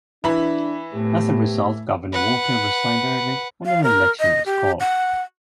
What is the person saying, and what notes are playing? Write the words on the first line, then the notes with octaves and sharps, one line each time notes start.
As a result Governor Walker resigned early and an election was called.
E3 D4 E4 B5
A2 B3 C4 G4
B4 F#5
F5
A#4
D#5
G4
F#5